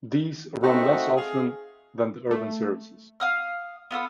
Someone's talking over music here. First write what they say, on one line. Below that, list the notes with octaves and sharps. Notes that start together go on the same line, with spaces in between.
These run less often than the urban services.
A3 C4 D#4 F#4 E5 F#5
G#4 F5
A3
F5 D#6 F6
B3 F4 A4 D#6